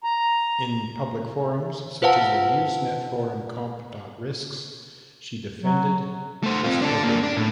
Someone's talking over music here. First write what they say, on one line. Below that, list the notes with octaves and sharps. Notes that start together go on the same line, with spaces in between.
In public forums, such as the Usenet forum comp.risks, she defended this program.
A#5
F4 B4 C5 F5 F#5 A5
F#3
A3 C5
C4 F4
D4 A4
A#3 D4
D4
A2